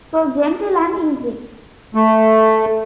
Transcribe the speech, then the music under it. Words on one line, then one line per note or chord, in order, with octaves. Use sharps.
So genteel and easy!
A3